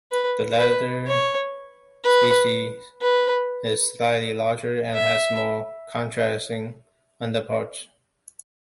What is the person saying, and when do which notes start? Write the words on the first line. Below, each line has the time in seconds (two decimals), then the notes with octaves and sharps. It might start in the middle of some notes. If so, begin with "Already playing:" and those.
The latter species is slightly larger, and has more contrasting underparts.
0.12 B4
0.59 B4
1.07 C#5
2.04 B4
3.01 B4
4.94 E5